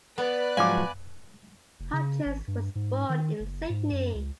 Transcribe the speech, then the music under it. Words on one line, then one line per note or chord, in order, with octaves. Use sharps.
Hutchins was born in Sydney.
B3 B4 D5 F#6
G#2 F3 F#3 F5 G#5 D6
F1
C#3
G#1
G2
G#2
D#3
F#1
G#2
F#2
C#2